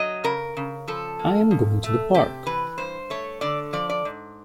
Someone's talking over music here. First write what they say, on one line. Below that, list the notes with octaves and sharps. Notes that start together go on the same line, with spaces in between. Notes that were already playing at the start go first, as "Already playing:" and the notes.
I am going to the Park.
Already playing: F#3 D#5
C#3 A#4
C#3
F3 A4
A#3
F2
A3
C3 G4
E3 B4
G2 C5
A3 C#5
D3 D5
F3 D5
D5
G#2